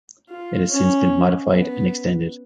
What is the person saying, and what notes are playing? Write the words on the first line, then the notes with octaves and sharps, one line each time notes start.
It has since been modified and extended.
F4
C#4
B3